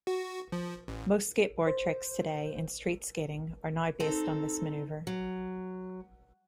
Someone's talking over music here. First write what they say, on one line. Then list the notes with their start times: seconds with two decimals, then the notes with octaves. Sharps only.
Most skateboard tricks today in street skating are now based on this maneuver.
0.07 F#4
0.52 F3
0.88 A1
1.67 C5
4.00 C4 D#4 A4
5.07 F#3